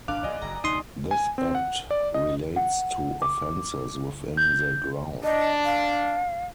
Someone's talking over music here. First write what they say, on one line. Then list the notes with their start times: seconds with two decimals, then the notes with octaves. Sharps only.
This act relates to offences within the ground.
0.08 G1 D4 F5 D6 F#6
0.23 A#1 D5 D#5 G#5
0.42 F#1 A#5
0.64 D2 C3 D#4 C6 D#6
1.11 G#5
1.38 C4
1.55 F#5
1.91 D5
2.14 D#5
2.56 F#5
3.22 D6
4.37 G6
5.24 D4 D#5
5.65 F5